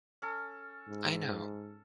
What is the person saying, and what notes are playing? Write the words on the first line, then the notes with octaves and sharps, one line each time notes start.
I know.
C#4 A4
G#2